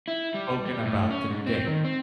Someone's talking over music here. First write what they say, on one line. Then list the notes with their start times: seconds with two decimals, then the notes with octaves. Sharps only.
spoken about today,
0.08 E4
0.34 G3
0.66 G3
0.83 A2
1.11 C#4
1.31 G#2
1.47 C4
1.67 D#3
1.85 C4